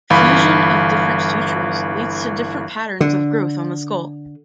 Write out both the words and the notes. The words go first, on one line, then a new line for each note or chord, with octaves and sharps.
Fusion of different sutures leads to different patterns of growth on the skull.
G1 E3 F5 B5
D3